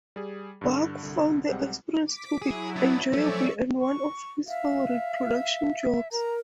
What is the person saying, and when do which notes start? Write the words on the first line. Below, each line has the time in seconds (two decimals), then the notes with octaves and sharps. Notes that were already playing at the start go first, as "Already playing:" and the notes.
Buck found the experience to be enjoyable and one of his favorite production jobs.
0.16 G3 G#4
0.61 G2 D3
1.03 C2 D3
1.49 B1 G3 G#3 C4 F#5
2.06 D6 B6
2.42 F#3 E4 G#4
2.76 B3 D4
3.13 F3 F#3 A3 C#4 A4 D5 E5 C#6
3.81 C#6
4.48 E5 F5
6.12 A#4 A#5